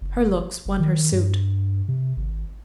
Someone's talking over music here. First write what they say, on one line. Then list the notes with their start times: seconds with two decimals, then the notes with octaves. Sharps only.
Her looks won her suit.
0.01 F#1
0.65 F#1
0.79 D#3
1.12 G2
1.88 C3
2.17 G#1